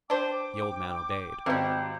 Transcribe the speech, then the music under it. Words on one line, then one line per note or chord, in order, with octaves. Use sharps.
The old man obeyed.
D4 C5 G5 D6
G#1 B2 G3